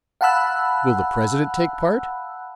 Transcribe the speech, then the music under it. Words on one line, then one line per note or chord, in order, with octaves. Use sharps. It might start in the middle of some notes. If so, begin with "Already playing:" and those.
Will the President take part?
F5 F#5 A5 B5 E6 F#6